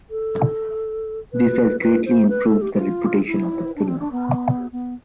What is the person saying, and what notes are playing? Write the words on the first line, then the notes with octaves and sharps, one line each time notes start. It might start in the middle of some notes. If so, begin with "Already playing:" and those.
This has greatly improved the reputation of the film.
A4
B4
B4
C5
B4
A4
G4
G4
F4
E4
D4
C4
D4
B3
B3